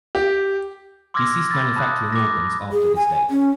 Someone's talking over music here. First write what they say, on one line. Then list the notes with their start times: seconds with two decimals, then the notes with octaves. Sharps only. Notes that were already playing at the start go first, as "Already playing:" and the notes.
He ceased manufacturing organs after this date.
0.15 G4
1.14 C6 D6 E6 F6 G#6 A#6
1.51 B5 E6 A6
1.76 A5 B5 D#6 F#6
2.12 D6 A#6
2.72 G#4
2.96 G#5
3.30 C#4